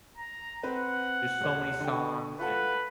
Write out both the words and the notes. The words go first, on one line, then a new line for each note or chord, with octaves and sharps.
there's so many songs, and
A#5
C4 B4 F#5
D#1 C#5
D3 G5
F4 A4 B4 F#5